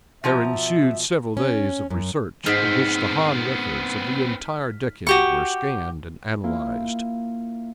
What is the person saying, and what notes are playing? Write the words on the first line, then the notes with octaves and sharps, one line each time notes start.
There ensued several days of research, in which the Han records of the entire decade were scanned and analyzed.
B2 F3 E5 A#5
C#4
F#2
G#2 B3 C4 F6 B6
F#4 G4 C#6
A#3 E4 F4